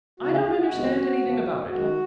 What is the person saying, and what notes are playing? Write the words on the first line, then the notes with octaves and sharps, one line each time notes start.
I don't understand anything about it.
D2 C#3 E3 F#4
G#4
G#4
F#4
F2 C3 D#3 G#3 B3
E2 C#3 F3
F#2 D#3 G#3 F#4